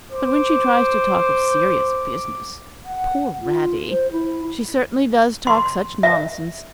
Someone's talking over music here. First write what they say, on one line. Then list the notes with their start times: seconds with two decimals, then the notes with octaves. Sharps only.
But when she tries to talk of serious business--poor Radie! she certainly does talk such nonsense!
0.11 C5 D6
2.86 F#5
3.41 F4
3.90 C5
4.12 E4
5.47 C6
6.03 E5